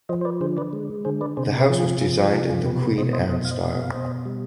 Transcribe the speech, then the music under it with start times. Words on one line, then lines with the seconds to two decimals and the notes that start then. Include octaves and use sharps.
The house was designed in the Queen Anne style.
0.09 F3 C5 D#5
0.21 C5
0.25 B4 D5
0.41 D3 G#4 C5
0.57 B4 D5
0.73 G#3
1.05 D3 G#4 C5
1.21 B4 D5
1.37 C3 G#4 C5
1.59 G4 B4
1.69 F3
1.79 F4 G#4
2.01 F3 F4 G#4
2.18 G4 B4
2.33 C3 F4 G#4
2.49 F4 G#4
2.65 B2 G4 B4
2.81 G4 B4
2.98 B2 C5 D#5
3.13 C5 D#5
3.29 B2 C5 D#5
3.45 F5
3.51 C5 D#5
3.61 B2
3.71 D#5
3.82 F5
3.92 B2 C5 D#5
4.26 G3